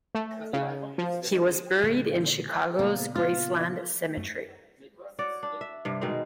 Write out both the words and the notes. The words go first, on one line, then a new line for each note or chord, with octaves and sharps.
He was buried in Chicago's Graceland Cemetery.
A3
C#3
F3
A#2 D3 G#3
A#2 C#3 A#3 B3
F4
F#2 A3
F#4 C#5 D5
D4
E5
G2 C3
B2 D#3 G#3 C4